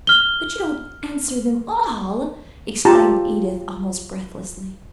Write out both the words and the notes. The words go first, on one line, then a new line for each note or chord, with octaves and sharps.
"But you don't answer them all," exclaimed Edith almost breathlessly.
F6 G7
F4 G4 A5 A#5